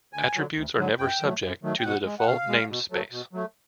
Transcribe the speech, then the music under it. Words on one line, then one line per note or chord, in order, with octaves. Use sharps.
Attributes are never subject to the default namespace.
D2 G#5
D3 F#3
D2
D3 F#3
F#2 G5
D#3 F#3 A3
F#2
D#3 F#3 A3
G5
B2 F#5
G#3
F#5
B2 F5
G#3
B2
F#3 A3
B2
F#3 A3